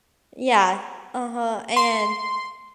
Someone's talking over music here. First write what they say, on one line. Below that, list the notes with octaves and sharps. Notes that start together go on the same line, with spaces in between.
Yeah. Uh-huh, and,
C6